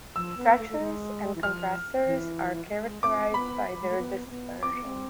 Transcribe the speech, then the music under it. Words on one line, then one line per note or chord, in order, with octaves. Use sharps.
Stretchers and compressors are characterized by their dispersion.
F3 E6
B3
A3
A3
G#3
E3
F3 F6
E3
F3
G#3
C4 D6
C4
B3 B5
G#3
A3
B3
C4
B3
C4 D6
B3
C4